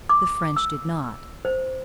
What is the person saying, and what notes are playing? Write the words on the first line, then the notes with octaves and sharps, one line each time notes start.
The French did not.
D6
E6
C5